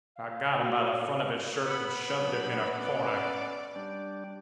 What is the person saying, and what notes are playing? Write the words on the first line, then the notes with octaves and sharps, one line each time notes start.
I got him by the front of his shirt and shoved him in a corner.
F5
F#4
B3 B5
F#3 D4
C#4 D5
G3 D4